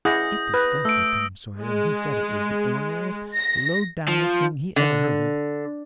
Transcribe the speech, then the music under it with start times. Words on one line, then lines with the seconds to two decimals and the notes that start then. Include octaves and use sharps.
It disgusted Tom Sawyer, and he said it was the orneriest, low-downest thing he ever heard of.
0.05 E4 G#4 F#5 D#6 G6 A#6
0.54 B4
0.85 A3 E6 D7
1.60 G#3
3.35 A#6
4.08 F3
4.76 D3